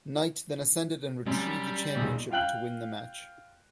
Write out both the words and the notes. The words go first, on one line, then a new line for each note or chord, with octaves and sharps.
Knight then ascended and retrieved the championship to win the match.
F#2 G3
B1 E2 A#2
F4 F5 G5 F#6 F#7